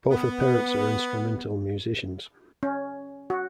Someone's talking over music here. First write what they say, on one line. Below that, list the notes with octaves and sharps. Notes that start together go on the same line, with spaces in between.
Both her parents are instrumental musicians.
B3
C#4
F#4